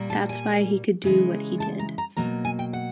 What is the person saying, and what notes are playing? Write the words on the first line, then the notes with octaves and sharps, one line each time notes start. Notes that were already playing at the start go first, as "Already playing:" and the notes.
That's why he could do what he did.
Already playing: A#2 G3 A#3
A5
G#5
C#3 E3 G#3
A5
A#5
A#5
B2 F#3 A#3 A#5
G#5
G5
F#5